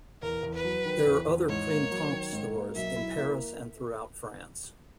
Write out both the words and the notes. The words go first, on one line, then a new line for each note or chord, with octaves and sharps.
There are other Printemps stores in Paris and throughout France.
E2 A#4
E2
B4
F#3
D#3
E2
E2
G#2 C#5
A#3
F#3
D#3
G#2
A#3
B1 E5
E4
A#3